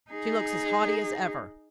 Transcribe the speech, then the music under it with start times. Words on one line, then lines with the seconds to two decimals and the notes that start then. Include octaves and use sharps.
She looks as haughty as ever.
0.11 D#4 G#4